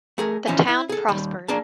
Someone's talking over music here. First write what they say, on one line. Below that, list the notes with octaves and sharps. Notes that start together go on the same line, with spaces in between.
The town prospered.
A3 G#4 A#4
E3 F3 C#4 D#4 G#5
E4
G#4 A4
D#2 G3
A#3 D4 G#4 A5